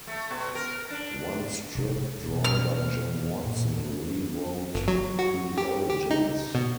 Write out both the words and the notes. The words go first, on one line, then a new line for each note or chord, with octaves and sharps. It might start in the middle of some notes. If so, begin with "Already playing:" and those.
One strip drawn by Jim Watson rewrote the origins.
A3
B2
A#4
D4
C3 D#4
B2 D3
F6
F#2 A#2
G1
F#3
F#4
G4
G4
D#4
B2